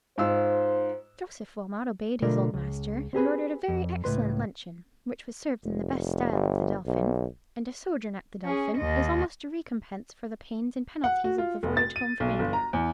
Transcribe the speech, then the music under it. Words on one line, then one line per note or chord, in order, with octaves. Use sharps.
Joseph Wilmot obeyed his old master, and ordered a very excellent luncheon, which was served in the best style of the Dolphin; and a sojourn at the Dolphin is almost a recompense for the pains and penalties of the voyage home from India.
G#2 F4 C5 E6
B2 D3 A3 F4 A#4 D5
C#2
C4 G4 G#4 B4
F2
C#2 A2 C#3 B4 C6
F1
G1
B1
C#4 G#4
D#2 D#5
F#5
F#4
F4
F1
A6
D#7
B1
G1
A#5
E2